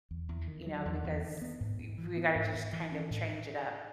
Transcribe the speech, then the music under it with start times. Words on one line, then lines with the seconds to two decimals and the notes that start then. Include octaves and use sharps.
you know, because, e we gotta just kind of change it up,
0.11 E2
0.29 E2
0.48 D#3
0.66 F#3
0.85 E2
1.04 E2
1.23 D#3
1.42 B3
1.60 G#2
1.79 G#2
1.98 E3
2.17 B3
2.35 G#2
2.54 G#2
2.73 E3
2.92 C#4
3.10 A2